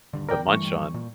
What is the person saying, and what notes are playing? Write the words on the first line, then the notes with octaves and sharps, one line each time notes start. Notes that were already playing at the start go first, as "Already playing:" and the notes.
to munch on.
D#1 G2 D3
A#4 D5 G5
G2 E3 G3 A3 C#6
A#2